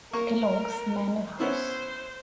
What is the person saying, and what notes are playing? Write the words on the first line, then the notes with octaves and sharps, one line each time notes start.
Kellogg's Manor House.
A#3 A#4 C#6
B3 C#4 E4 C5